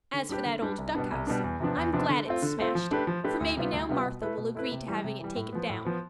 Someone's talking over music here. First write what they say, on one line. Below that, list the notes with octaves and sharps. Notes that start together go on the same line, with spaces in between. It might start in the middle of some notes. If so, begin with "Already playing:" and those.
As for that old duckhouse, I'm glad it's smashed, for maybe now Martha will agree to having it taken down.
D3
G3 D4 G4 B4
D3
G3 D4 G4 B4
C2
B2 G3 B3 D4
C2
B2 G3 B3 D4
E2
C3 F3 B3 D4
E2
C3 F3 B3 D4
D3
A3 C4 F4
D3
A3 C4 F4
F3
A3 D4 G4 B4
F3
A3 D4 G4 B4
D2
C3 G3 B3 F4
D2
C3 G3 B3 F4
B2
A3 E4 B4
B2
A3 E4 B4
C3
E3 G3
C3
E3 G3
A2
F3 B3
A2
F3 B3